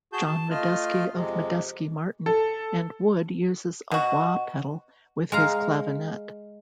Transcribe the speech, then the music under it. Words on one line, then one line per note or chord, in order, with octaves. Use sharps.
John Medeski of Medeski, Martin, and Wood uses a wah pedal with his clavinet.
F#4 G#4 A5 G6
A5
A3 F4 D#5 F6
F2 C3 G#3
A4
B2 F#4
G#3 F5 A#5